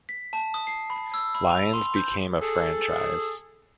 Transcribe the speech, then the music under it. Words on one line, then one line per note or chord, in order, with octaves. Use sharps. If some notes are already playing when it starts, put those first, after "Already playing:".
Lions became a franchise.
B6
A5
D#6
C7
B5
E6
B5
F7
C6
G6
G#4 A4